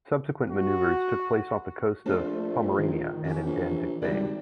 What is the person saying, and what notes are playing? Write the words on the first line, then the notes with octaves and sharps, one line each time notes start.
Subsequent maneuvers took place off the coast of Pomerania and in Danzig Bay.
F#4
A#1 A3 C4 D4 F4
D#3
C#4 F#4 G4
A#1 E3
G#1 C#3 G3 G4 D5